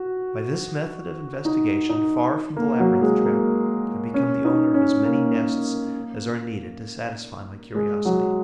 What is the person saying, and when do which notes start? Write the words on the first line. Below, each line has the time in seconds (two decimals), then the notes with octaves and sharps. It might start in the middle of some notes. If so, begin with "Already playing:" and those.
By this method of investigation, far from the labyrinth-trap, I become the owner of as many nests as are needed to satisfy my curiosity.
Already playing: F#4
1.45 D#4
1.89 D#4
2.56 A#3
2.79 F#3
3.02 G#3
3.25 A#3
4.14 C#4
4.45 D#4
4.74 C#4
5.05 A#3
7.75 G#3
8.05 F#3